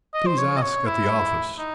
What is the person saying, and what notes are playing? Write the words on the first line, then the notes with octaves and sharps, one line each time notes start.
"Please ask at the office."
D#5
C5
C#5
D#5
C#5
E4
D#4